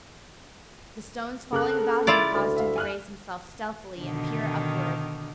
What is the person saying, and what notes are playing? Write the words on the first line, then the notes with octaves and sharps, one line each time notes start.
The stones falling about him caused him to raise himself stealthily and peer upward.
C#3 A4 A#4 F#6
E4 F4 D5
D2
E5 F5
G#5 F6 F#6
B2 D3 D#3